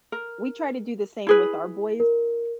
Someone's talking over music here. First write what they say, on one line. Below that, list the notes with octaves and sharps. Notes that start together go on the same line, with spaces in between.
We try to do the same with our boys.
A#4
E4 G#4 B4
A#4